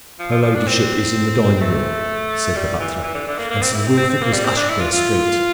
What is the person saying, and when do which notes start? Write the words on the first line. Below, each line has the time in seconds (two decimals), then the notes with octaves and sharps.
"Her ladyship is in the dining-room," said the butler, and Sir Wilfrid was ushered there straight.
0.19 F3
0.32 F3
0.43 F3
0.55 D4
0.67 C4
1.61 A3
2.56 G3
2.80 E3
3.03 E3
3.15 D3
3.28 D3
3.38 A#3
3.50 A#3
3.62 C4
3.74 E4
3.87 C4
3.98 C4
4.10 C4
4.22 A#3
4.33 G3
4.45 C4
4.57 D4
4.69 E4
4.80 F4
4.93 F4